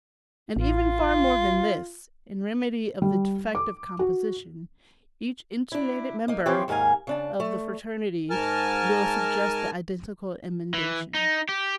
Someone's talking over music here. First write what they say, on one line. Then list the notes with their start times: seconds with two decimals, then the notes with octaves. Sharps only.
And even far more than this, in remedy of the defective composition, each insulated member of the fraternity will suggest the identical emendation.
0.56 A1 F4
3.02 G3
3.55 D6
3.99 F#4
5.72 D4 E4
6.28 A#3 D#4
6.46 E3 F3 C4 F4 G4 C#5
6.68 D#2 G#2 A#4 F5 G#5
7.07 C#3 D4 A5
7.40 A3
8.30 G#2 A#4 G#5 A5 F6
10.74 E3
11.14 D#4
11.49 G4